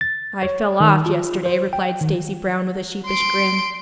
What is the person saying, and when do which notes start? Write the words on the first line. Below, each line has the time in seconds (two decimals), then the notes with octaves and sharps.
"I fell off yesterday," replied Stacy Brown with a sheepish grin.
0.01 A6
0.43 C#5
0.81 D#3
1.06 F4
1.46 C5
1.73 G5
2.01 D#3
3.07 C6 D7